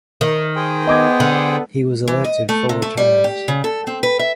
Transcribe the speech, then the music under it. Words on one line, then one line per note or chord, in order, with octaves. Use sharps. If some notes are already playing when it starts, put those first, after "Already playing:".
He was elected four times.
D#3
G#4 C5 G5
B3 D#5 D6 G#6
D3
E3
D#5
A3
C3
A3
G3
G4
C#3
A4
C4
B4
E5